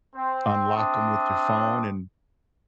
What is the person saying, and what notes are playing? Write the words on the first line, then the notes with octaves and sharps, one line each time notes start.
unlock 'em with your phone, and
C4
C4 D4 E5 D#6